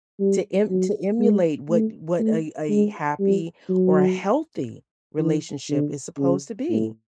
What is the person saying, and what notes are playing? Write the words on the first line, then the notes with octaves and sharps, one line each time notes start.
to em to emulate what what a a happy or healthy relationship is supposed to be.
G3
F#3
G#3
A3
A3
G#3
G3
F#3
E3
D3
C#3
A2